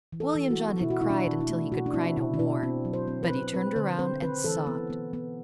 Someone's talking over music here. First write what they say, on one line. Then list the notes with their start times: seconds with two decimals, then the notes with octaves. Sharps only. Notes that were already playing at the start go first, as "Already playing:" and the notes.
William John had cried until he could cry no more, but he turned around and sobbed.
0.13 E3
0.20 A4
0.35 E3
0.51 F#4
0.58 B3
0.81 B2 E4
0.90 F#4
1.01 B2 E4
1.10 D4
1.26 B2
1.41 E4
1.49 A3
1.72 B2 F#4
1.86 D4
1.94 C4 E4
2.17 B2 E4
2.34 D4
2.39 B2 E4
2.63 C4
2.85 F#3
2.93 C5
3.08 C4
3.23 B4
3.30 C4
3.53 C4 B4
3.76 D3 C5
3.99 C4 C5
4.22 C4 B4
4.44 E3 A4
4.67 B3
4.90 B3
5.13 B3